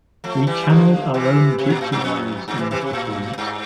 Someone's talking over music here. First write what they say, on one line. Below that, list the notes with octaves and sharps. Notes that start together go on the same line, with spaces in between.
We channeled our own Gypsy lives in this performance.
F3 A3
E3 G3
D3 F3
C3 E3
C3
A#2
A2
G2
F2
G2
C3 E3
C3 E3
C3
A2
G2